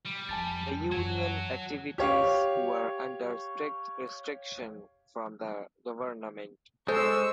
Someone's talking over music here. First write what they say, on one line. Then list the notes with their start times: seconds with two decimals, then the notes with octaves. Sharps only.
The union activities were under strict restriction from the government.
0.06 G3
0.29 F2 G#5 A5 A6
0.92 F#2 E3 F#3 F#4 G#6
1.98 G4 C#5 F5
6.88 G#3 A4 C5 C#6 E6